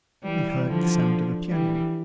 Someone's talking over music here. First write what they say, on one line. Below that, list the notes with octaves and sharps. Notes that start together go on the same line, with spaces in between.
We heard the sound of a piano.
E3 G3
D3 F3
E3 G3